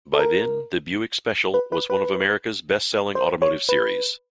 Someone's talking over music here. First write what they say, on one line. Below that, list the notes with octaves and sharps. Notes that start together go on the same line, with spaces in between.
By then, the Buick Special was one of America's best selling automotive series.
A4
A#4
B4
B4
B4
C5
C#5
B4